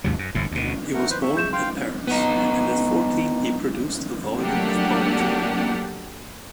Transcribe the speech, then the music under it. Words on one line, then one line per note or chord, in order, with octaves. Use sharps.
He was born at Paris, and at fourteen he produced a volume of poetry.
D#2 G#2 C3 F#3
F#2
G1 F2 A2
D2 B2
A3 A#4 F#5
B4 C5
E5 C#6
G#4 G6 E7
F5 G5 C6
B3 D#4
F#3 A3 A#3 D4 G4 F#5